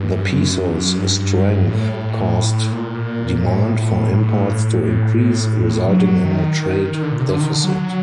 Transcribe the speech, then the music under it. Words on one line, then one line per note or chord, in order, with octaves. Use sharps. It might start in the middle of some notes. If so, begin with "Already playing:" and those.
The peso's strength caused demand for imports to increase, resulting in a trade deficit.
Already playing: G2
F#2
G2
A2
A#2
A2
A2
A2
F#3
D#3
D#3
D3
A#2
C3
D3
D#3
D3
F#3